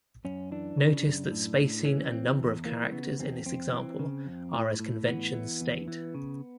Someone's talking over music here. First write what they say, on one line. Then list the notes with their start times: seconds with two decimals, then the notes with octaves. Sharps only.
Notice that spacing and number of characters in this example are as conventions state.
0.25 F#2 C#4
0.52 E3 D4
0.77 C#3
1.05 F#2
1.31 A2
1.59 A2
1.85 E3 C#4
2.12 E3 C4
2.39 E2
2.65 E3 A#3
2.92 C#3 B3
3.19 E2 C4
3.46 F2 C4
3.72 E3
3.99 C#3
4.27 F2
4.53 A2
4.80 A2
5.07 E3 B3
5.33 E3
5.61 E2
5.88 E3
6.15 C#3